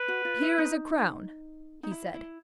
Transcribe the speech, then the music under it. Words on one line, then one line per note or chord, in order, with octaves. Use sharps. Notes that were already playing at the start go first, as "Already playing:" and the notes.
"Here is a crown," he said.
Already playing: B4
F#4
F4
E4
D#4
D#4
E4
E4